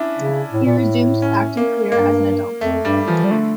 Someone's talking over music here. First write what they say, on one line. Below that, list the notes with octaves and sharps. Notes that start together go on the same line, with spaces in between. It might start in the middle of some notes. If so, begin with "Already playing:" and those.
He resumed his acting career as an adult.
Already playing: C#4 D4 E4
C#3
A2
A#2
A2
C#4
A#3
G2 A#3
F2 A3
G2 G3
E3 F3
G3
D3 A3